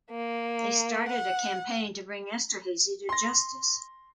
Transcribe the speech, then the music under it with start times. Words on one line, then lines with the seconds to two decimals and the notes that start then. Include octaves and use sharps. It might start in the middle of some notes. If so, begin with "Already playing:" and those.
They started a campaign to bring Esterhazy to justice.
0.10 A#3
1.08 F#5
3.09 C6 A#6